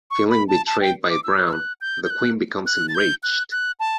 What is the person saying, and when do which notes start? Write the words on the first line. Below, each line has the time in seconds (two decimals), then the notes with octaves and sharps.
Feeling betrayed by Brown, the Queen becomes enraged.
0.11 C#6
0.30 B5
0.48 A5
0.67 A5
0.81 G5
1.10 D6
1.24 E6
1.46 E6
1.53 F#6
1.81 G6
2.04 G6
2.10 F#6
2.66 F#6
2.89 A6
2.95 G6
3.23 F#6
3.52 F#6
3.80 A5